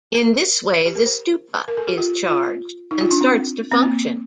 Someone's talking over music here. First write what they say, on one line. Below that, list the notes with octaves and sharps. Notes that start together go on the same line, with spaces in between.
In this way the stupa is charged, and starts to function.
A#4
G4
A#4
C5
A#4
A4
G4
F4
F4
D#4
F4
D4
C4
C4
A#3